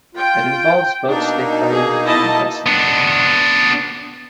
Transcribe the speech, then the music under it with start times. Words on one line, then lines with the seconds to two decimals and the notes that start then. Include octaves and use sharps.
It involves both stick fighting and wrestling.
0.15 F4 G5
1.08 B2 A#3 D4 D#4
1.70 G#4
2.03 E4 D#5 A5
2.66 B3 D4